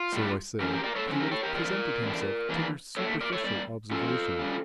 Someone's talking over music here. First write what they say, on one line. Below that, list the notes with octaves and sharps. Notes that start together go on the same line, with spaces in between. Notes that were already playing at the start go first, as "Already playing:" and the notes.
So, I say, he would have presented himself to your superficial observation.
Already playing: F4
A2 G3 D4
F2 E3 A3 C#4 G4 A#4
G4 A#4
A#4 D5
A4 C#5
D3 F3 C#4
G4 A#4
A4 C#5
G4 A#4
E2 D3 F3 A#4 D5
E2 D3 G3 D4
E2 E3 A#3 D4
A#2 A3 D4 A4 C#5
A#4 D5
A4 C#5
A#2 G3 D5
G2 F3 C#4 F4 A4
C#3 G3 D4